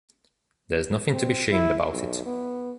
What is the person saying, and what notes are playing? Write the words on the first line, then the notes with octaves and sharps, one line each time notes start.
There’s nothing to be shamed about it.
C4
E4
B1
B3